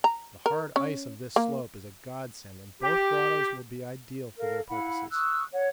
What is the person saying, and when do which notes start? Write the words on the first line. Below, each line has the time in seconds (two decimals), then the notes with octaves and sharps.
The hard ice of this slope is a godsend and both grottoes will be ideal for their purposes.
0.04 A#5
0.46 A#4
0.76 C#4
1.36 A#3
2.82 G4
4.38 A4 A#4 F5
4.69 E4 F5 F#5 B5
5.12 C#6 D#6 E6 F#6
5.51 C#5 F#5